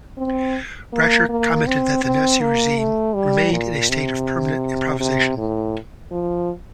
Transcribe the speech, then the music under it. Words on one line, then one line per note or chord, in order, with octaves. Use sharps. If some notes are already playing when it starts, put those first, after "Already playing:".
Bracher commented that the Nazi regime "remained in a state of permanent improvisation".
C4
A#3
A#3
C4
C4
A#3
A3
G3
A#2
C3
C3
A2
F3